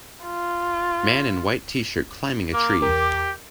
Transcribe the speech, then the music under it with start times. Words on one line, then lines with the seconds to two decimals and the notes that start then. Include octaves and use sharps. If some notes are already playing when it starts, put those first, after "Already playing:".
Man in white tshirt climbing a tree.
0.24 F4
2.53 A#3 D6
2.82 E2 G4 A#4